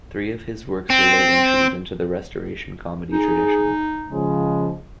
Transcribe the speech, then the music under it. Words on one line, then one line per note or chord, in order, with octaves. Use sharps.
Three of his works were late entries into the Restoration Comedy tradition.
C4
D#4 G#4
C#3 F3 G#3